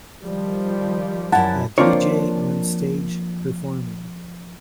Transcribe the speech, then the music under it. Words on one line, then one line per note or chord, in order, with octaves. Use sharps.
A DJ on stage performing.
D#3 F3 G3
F#2 E4 F#5 A5
F3 A#3 C4 D4 F4 C#5